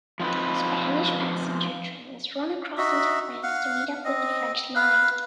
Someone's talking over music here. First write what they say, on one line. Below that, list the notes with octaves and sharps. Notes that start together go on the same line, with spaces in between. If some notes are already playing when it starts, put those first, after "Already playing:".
Spanish passenger trains run across into France to meet up with the French line.
F3 C4 D#4 B4
D#4 F#4 E5
F5 F#5
C4 D#5
B4 F5